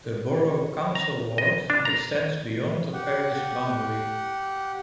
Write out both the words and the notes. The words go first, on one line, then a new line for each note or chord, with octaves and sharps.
The borough council ward extends beyond the parish boundary.
A#5
D#5
D4
A#5
G4 F#5